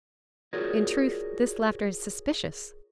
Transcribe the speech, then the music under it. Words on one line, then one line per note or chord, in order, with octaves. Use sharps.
In truth, this laughter is suspicious.
F4 F#4 G#4 A#4 C#5 D5